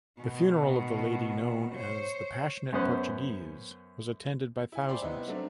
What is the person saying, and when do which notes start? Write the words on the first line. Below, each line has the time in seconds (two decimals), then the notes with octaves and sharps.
The funeral of the lady known as the "Passionate Portuguese" was attended by thousands.
0.18 B2 D#3
1.71 C5 C#5
2.73 F#2 B3 C#4 C5 D#6 F#6
4.72 E4 G#5
4.89 C5 D5 G5 B5 C6
5.02 C3 B3 D#4 E4
5.27 F#3 A3 C4 D4